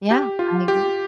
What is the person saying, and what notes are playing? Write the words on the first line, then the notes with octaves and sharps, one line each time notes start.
Yeah. I agree.
G4
F4
G4